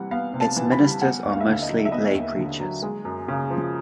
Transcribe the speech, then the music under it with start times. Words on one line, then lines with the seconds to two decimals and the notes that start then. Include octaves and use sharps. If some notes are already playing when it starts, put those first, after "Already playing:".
Its ministers are mostly lay preachers.
Already playing: C3 E3 G3 F#5
0.11 B3 F5
0.33 C3
0.41 A5
0.56 E3
0.72 B5
0.79 G3
1.02 B3 F#5
1.24 D#2
1.32 F5
1.40 E5
1.47 D3 F5
1.62 D#5
1.69 F#3
1.85 E5
1.92 B3 D#5
2.15 D#2
2.37 D3
2.60 F#3
2.82 G#3
3.05 F#2
3.28 C#3
3.50 F3